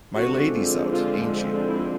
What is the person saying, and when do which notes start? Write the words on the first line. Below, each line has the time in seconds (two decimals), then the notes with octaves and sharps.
My Lady's out, ain't she?
0.15 D3 F3 G#3 C4 F#4
0.92 F4
1.68 E4